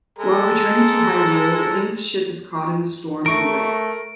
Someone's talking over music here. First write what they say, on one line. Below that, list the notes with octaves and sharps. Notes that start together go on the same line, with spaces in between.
While returning to Hyrule, Link's ship is caught in a storm and wrecked.
G#3 A4 A#5
A3 A#4 C#6 D7